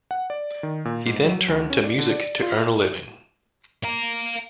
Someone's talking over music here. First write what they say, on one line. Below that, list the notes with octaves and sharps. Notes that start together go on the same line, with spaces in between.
He then turned to music to earn a living.
F#5
D5
D#3
A#2
G#2
F#3
D2
C#4
D5
D3
D5
F4
F5 A#5